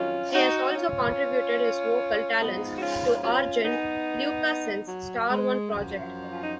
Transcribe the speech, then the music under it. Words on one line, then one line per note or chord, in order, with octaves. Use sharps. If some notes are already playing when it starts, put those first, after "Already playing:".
He has also contributed his vocal talents to Arjen Lucassen's Star One project.
Already playing: F2 D#3 F#3 C#4 F4
D#4 F#4
C#4 F4
G#2 F3 B3 D#4
F#4
C#4 F4
C#4 F4
B3 D#4
F#3
G#3
F#2 F3
F4
D#4